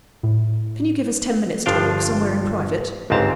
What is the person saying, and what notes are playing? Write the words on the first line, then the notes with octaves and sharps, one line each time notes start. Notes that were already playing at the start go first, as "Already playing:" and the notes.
Can you give us ten minutes' talk, somewhere in private?
A2
G1 G2 F3 D4 F5 G5
G1 C#2 G#2 C4 A5 A#5